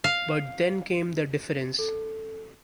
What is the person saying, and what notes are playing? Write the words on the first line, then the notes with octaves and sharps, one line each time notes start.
But then came the difference.
F5
A4